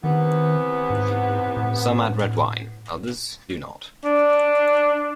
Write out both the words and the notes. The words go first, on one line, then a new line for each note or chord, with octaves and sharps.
Some add red wine, others do not.
C3 D#3 E3 B3
G#2
A2
D4